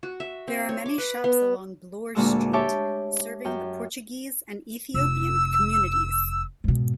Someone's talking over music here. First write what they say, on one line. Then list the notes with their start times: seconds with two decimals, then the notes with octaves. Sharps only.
There are many shops along Bloor Street serving the Portuguese and Ethiopian communities.
0.03 F#4
0.20 E5
0.48 C4
0.69 C#5
0.86 D6
0.98 B4
1.24 B3
2.15 D2 A#2 G#3 E6
2.53 G4 C#5 E5 A5 D6 G6
3.45 F#2 G5
4.94 F1 E6
6.64 G#2 B2